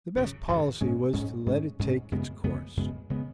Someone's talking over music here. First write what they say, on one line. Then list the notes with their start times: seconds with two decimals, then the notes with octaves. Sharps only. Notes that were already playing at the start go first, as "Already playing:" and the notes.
The best policy was to let it take its course.
0.15 G#1 F#2 C#3
0.48 G#1 F#2 C#3
0.81 G#2 G#3 C#4
1.13 G#2 G#3 C#4
1.46 G#2 G#3 C#4
1.79 G#2 G#3 C#4
2.12 F#2 C#3 G#3 B3
2.44 F#2 C#3 G#3 B3
2.77 F#2 C#3 G#3 B3
3.10 C#3 G#3 B3